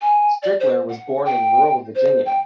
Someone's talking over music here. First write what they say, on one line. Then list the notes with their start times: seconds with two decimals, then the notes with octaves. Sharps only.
Strickler was born in rural Virginia.
0.01 G#5
0.42 D5
0.60 C5
0.89 F#5
1.25 G5
1.95 C5
2.25 G5